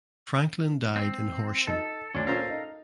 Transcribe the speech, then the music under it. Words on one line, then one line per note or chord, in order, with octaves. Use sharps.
Franklin died in Horsham.
C4
D#4 A4
D2 C#4 D4
A#2 C#4 A4 A#4 C5 F5
D#4